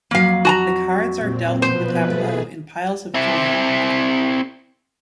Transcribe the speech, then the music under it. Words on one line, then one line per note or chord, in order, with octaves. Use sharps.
The cards are dealt to the tableau in piles of three.
F2 F#3 A#3 F5
F#4 A5 A#5
A#2 C4
B2 F3 B4 C5
A3 G#4
C4 E4